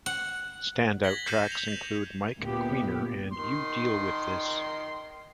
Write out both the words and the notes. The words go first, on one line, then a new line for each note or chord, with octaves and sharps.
Standout tracks included "Mike", "Queener" and "You Deal With This".
F#5
G#6 A#6 B6 F#7 G7
G6 C7 C#7 D#7 E7
B6 F7
G6
D2 A#2 B3 G4
D#3 C6